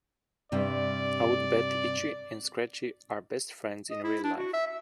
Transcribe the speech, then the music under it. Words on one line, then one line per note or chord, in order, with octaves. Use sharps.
I would bet Itchy and Scratchy are best friends in real life.
G2 C3 G3 D5
D#5
E4
D4
F#4
E5
E5